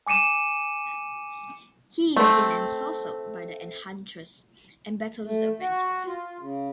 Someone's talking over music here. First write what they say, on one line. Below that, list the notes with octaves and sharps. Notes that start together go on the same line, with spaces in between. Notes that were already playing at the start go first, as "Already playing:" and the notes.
He is then ensorcelled by the Enchantress, and battles the Avengers.
G#5 D6 C#7 D#7 E7
A3 C4
A3
F#4
F4
C#3